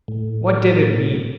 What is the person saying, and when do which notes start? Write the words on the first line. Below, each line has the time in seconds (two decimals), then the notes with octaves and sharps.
What did it mean?
0.08 A2